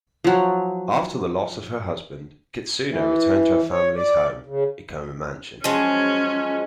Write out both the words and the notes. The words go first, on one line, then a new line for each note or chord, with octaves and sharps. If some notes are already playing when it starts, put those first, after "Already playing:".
After the loss of her husband, Kitsuno returned to her family's home, Ikoma mansion.
F3 F#3
E3
C#5
D5
C#3
F3 F#3 G#3 C#4